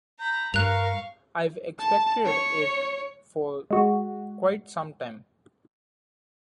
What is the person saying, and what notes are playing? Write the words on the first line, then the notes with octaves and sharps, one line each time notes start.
I've expected it for quite some time.
A#5 B5 G6
G2 A#4 F5 C#6 F#6 F7
A5
C#5
G#3 F#4